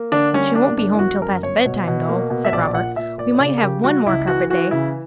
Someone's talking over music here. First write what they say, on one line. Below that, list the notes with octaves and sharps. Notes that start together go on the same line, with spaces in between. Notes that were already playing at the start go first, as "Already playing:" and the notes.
'She won't be home till past bedtime, though,' said Robert. 'We might have one more carpet-day.'
Already playing: A#3
D3 D4
G3 C#4
A#3 D4
G1 D4
E4
G1 F#4
F#2 A#4
G1 C#5
B2
B2
A#3
B2
E5
A#1 D5
A#2 F#5
A#2 E5
A#2 D5
C#5
C#3 D5
A#4
C#3 G4
G3 F#4
C#2 E4
E3 F#4
E3 F#4
C#3 E4